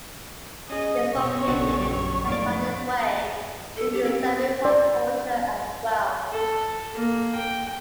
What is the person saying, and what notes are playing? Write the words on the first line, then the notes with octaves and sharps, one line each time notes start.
This opinion has found its way into Serbian pop culture as well.
C#4 G#4 D#5
B2 C#5
A#1 C#3 B3 D4 F#4
F#2 G4 D5
F2 A2 A#3 D#4 D5
A4
G4
C4
C4
D5
A4
A#3
G5